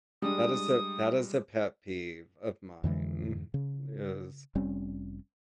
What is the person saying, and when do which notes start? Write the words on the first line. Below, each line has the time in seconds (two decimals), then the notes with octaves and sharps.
That is a that is a pet peeve of mine is
0.22 G3 G#3 D4 D#6
2.84 F2 D3 E3 G#3
3.54 C#3
4.55 F1 G3 C4 C#4